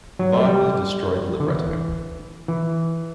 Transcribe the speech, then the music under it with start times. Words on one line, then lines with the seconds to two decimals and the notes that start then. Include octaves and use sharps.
Wagner destroyed the libretto.
0.19 F#3
0.37 A3
0.45 G3
1.40 D3
1.47 E3
2.48 E3